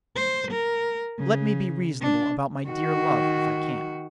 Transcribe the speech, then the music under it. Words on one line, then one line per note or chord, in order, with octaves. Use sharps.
Let me be reasonable about my dear love, if I can.
C5
A#4
C#3
D4
D#3 F#4